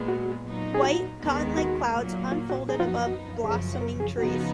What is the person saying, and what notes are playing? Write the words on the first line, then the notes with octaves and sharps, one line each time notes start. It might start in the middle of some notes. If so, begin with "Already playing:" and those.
White, cottonlike clouds unfolded above the blossoming trees.
Already playing: A#2 G#3 B3
F#4
A#2 F#3 B3 D#4
G#4
F#4
D#2 D#3 G#3 B3
F#4
A#2 F#3 A#3
F4
F#4
F#2 F3 B3 D#4 G#4
F4
F#4
F#4
F#2 C#3 F3 G#4
A#4
G#4
C#3 F3 B3 D#4 F#4